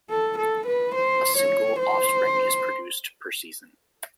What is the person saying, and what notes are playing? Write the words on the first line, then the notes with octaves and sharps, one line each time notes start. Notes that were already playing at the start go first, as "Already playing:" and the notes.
A single offspring is produced per season.
A4
A4
B4
C5
C#5
C5